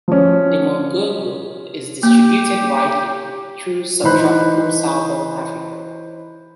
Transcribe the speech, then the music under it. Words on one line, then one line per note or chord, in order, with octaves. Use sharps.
The mongongo is distributed widely through subtropical southern Africa.
F3 C#4
A#3 G4
E3 D#4 C5 B5 F#6